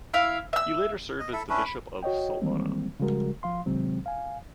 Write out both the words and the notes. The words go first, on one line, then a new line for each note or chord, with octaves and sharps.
He later served as the bishop of Salona.
E4 E5 F5
E5 E6
D#5
E4 A4 E5
C#4 D4 E4 B4
B5
F#4 C#5 D#5 G5
D#3 E3 G3 G#3 A#3 C4
C#3 F3 G3 G#3 F#4 A#4
F3 F5 C6
C2 C3 D#3 F#3 G#3 C4
F5 G#5